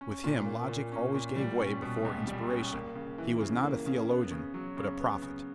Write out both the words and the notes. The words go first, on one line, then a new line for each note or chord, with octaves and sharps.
With him logic always gave way before inspiration: he was not a theologian, but a prophet.
C#4
A#2
A#3
A#2
C#4
A#2
G3
C#4
B2
C#2
G3
C#4
A#3
C#3
E3
C#3
A#3
C#3
B3
C#3
F#3
C#3
B3
C#3